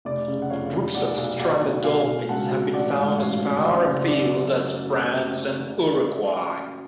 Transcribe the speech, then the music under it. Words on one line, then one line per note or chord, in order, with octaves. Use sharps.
Groups of stranded dolphins have been found as far afield as France and Uruguay.
F1 D5
C#3
F#5
F2 C#5 F5
F1
B1 D5 F#5
B1
B1 D5 F#5
B1
B2 F5 G#5
B2
C#2 F#5 A5
B2
A1 D5 F#5
G#2
F#5
A1 C#5 F5
A1
F#2 D5 F#5
F#1
F#2 D5
F#2